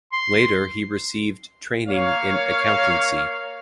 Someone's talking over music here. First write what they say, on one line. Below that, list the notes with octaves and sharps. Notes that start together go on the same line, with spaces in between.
Later he received training in accountancy.
C6
A#3 C#5 F5